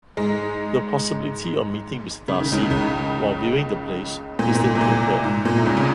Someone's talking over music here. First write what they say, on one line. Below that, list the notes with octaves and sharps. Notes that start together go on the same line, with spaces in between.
The possibility of meeting Mr. Darcy, while viewing the place, instantly occurred.
G#2 G#3
C#3
D#3
C#2 C#3
C#2 C#3
A#2
G#2
A#2
C3
A#2
G#2
A#2
C3
C#2 C#3
C#3